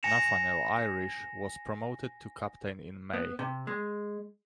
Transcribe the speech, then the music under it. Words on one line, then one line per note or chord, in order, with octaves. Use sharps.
Nathaniel Irish was promoted to captain in May.
G#5 A#6 C#7 E7 F7
B3
C3
G#3